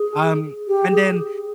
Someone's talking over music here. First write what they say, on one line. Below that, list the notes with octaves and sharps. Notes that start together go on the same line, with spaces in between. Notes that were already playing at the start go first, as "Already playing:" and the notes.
Um, and then
Already playing: G#4
G4
G#4